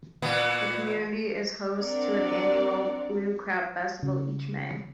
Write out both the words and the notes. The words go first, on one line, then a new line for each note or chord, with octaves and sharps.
The community is host to an annual Blue Crab Festival each May.
A#2 E3 B3
C4 D4 A#4 D5 F#5
C#3